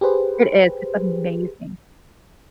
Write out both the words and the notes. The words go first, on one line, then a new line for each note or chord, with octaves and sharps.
It is, it's amazing.
G4 G#4 B4 C5